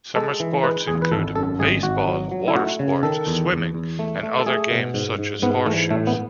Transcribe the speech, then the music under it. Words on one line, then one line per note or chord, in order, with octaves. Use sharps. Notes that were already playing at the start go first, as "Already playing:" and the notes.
Summer sports include: baseball, water sports, swimming, and other games such as horseshoes.
G#3 A4
E3
G#3 B4
E2 G#4
B4
G#1 A4
F#2 A4
G#1 G#4
G#1 F#4
F#3
F#3
E4
A3 F#4
C#3
D#3 A4
E2
E2
E2
A3
A3
A4
A3 G#4
B2
G#2
G#2
G#2 B3
E3 A3
A2 A3
B3